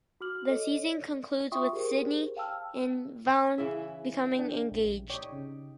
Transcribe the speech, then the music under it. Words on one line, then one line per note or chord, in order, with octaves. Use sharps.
The season concludes with Sydney and Vaughn becoming engaged.
F#4 D6 F6 F#7
A4 C#5 D#5
D5
F4 E5 G5 C6 C#6 D#6
G4 G#4 A#4 C5
F5 G5 A5 E6 F6
C#3 E3 G#4 E5
D4 G5
A#1
D#4 G4 C#5 D5 G5
C#3